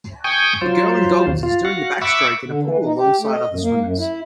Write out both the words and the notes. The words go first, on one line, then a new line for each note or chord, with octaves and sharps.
A girl in goggles is doing the backstroke in a pool along side other swimmers.
G5 G#5 C#6 D#6 G6
F#3 F4 C5
D#2
F4
F#4 F5 F#5
E5 F#5 B5 C#6 D6 E6
D3
E3
D#4
G4
A3
D#5
F#2
A#3
F#2
E4